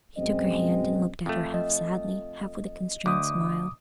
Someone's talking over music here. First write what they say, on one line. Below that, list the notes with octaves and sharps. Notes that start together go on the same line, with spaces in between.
He took her hand, and looked at her half-sadly, half with a constrained smile.
F#2 B2 G#3 C4 D#5
F2 A3
D#5
D2 D6 D#6